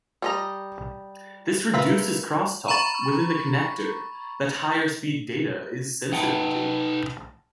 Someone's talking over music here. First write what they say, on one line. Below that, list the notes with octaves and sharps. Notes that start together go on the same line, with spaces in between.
This reduces crosstalk within the connector that higher speed data is sensitive to.
G3 D#5 A#5
F4 A#4 B4 E5 F5
A#5 B5 C#6 A6
D#4 B4 F#5 G5 A5